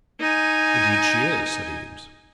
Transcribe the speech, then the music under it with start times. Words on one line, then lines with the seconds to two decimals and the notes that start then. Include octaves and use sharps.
"Indeed she is," said Eames.
0.20 D#4 G#5